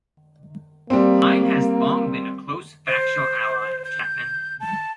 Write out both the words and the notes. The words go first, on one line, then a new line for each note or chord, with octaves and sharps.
Pyne has long been a close factional ally of Chapman.
G3 A#3 C4
C5
G6
A5